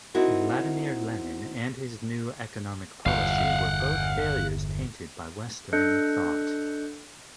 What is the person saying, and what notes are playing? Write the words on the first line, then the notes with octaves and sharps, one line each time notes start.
Vladimir Lenin and his New Economic Policy were both failures tainted by Western thought.
C4 D#4 E4 F#4 A#4
G1 E2 F5 F#5
D4 A4 D#5 F#6 G6 C#7